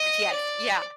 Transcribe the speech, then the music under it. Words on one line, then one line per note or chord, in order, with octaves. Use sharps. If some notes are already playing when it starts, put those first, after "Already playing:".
RTX, yeah.
Already playing: D#5
D5